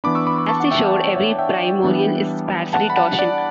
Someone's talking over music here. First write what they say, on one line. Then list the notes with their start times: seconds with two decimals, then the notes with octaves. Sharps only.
As they showed, every primorial is sparsely totient.
0.04 E3 B3 D4 B5 D6
0.15 C#6 E6
0.27 B5 D6
0.38 B5 D6
0.49 A5 C#6
0.60 F#5
0.71 E5 G5
0.94 D5 F#5
1.05 C#5
1.16 C#5 E5
1.39 E5 G5
1.84 E3 G3 B3 D4
2.73 F#5 A5
2.90 B5
2.96 F#5 A5
3.19 D5 F#5